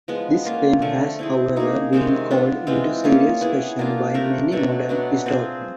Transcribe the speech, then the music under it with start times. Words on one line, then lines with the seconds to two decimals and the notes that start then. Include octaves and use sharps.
This claim has, however, been called into serious question by many modern historians.
0.08 F3 G#3 B3
0.45 A#3 C#4 F4
0.82 D3 F3 A3
1.19 C4 E4 G#4
1.56 A#3 D#4 G#4
1.93 C3 D#3 G#3 C4
2.31 B3 D4 F4
2.67 E3 G#3 C4 F4
3.04 A#3 C#4 F4 G#4
3.41 B3 E4 G#4
3.79 A#3 D4 F4
4.14 A3 D4 G4 A#4
4.52 B2 F#3 A3 D4
4.89 F#3 B3 D4
5.26 C4 F4 G#4 C5